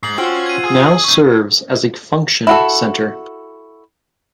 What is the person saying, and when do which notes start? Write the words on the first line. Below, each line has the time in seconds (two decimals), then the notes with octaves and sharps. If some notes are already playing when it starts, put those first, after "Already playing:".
It now serves as a function centre.
0.03 G#2 C7 F#7
0.18 C#4 F4 F#4 C5 G5 E6
0.46 G#6 D#7
0.64 G#4 G#5
1.04 C#4 D#4
2.47 E4 F#4 A4